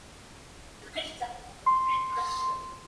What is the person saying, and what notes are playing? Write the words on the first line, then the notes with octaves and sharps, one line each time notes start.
Two cars of Satyaki were going to be delivered on the day of Mahalaya.
C6